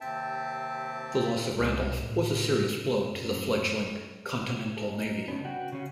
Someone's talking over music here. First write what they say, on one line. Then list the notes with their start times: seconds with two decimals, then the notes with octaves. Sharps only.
The loss of "Randolph" was a serious blow to the fledgling Continental Navy.
0.01 D#2 C3 C4 E5 G5 A5
1.57 C2
2.02 A2
3.11 F#2
4.77 G#4 A4
4.93 D#4
5.28 C#3 B3 C#4 D4
5.45 F#4 G5
5.72 C#3 C#4 F#4